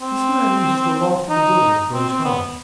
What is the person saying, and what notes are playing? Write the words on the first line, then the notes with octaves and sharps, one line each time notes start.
This man uses the loft of the building for his home.
C4
D#4
C4
C4
B3